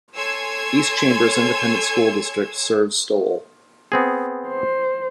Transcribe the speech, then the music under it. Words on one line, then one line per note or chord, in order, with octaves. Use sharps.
East Chambers Independent School District serves Stowell.
A4 C#5 G#5 C6 E6 G#6
B3 C4 G#4
C5